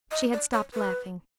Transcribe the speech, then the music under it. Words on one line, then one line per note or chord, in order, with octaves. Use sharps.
She had stopped laughing.
D#5
D5
C#5
B4